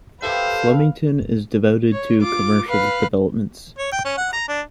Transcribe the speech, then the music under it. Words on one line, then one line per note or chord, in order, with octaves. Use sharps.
Flemington is devoted to commercial developments.
G4 A4 B4 C5 E5 F5
C#5
F4 D6
B4 F5
C#5
G5
C#4
F#5
A#5
D4